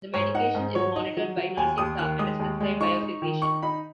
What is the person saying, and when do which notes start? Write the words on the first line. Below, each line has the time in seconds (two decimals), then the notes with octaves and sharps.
The medication is monitored by nursing staff and is prescribed by a physician.
0.14 G#2 C#5
0.34 D#4 F#5
0.55 G#2 D#5
0.75 F#3 C#5
0.96 D#4 D#5
1.17 F#3
1.37 F#3
1.57 D#2 G#5
1.78 D#2 D#6
1.98 D#3 F#6
2.19 G#3 D#6
2.39 D#2
2.60 G#3
2.80 D#4 C#6
3.01 D#4
3.22 D#3
3.42 D#4 C#6
3.62 D#4 B5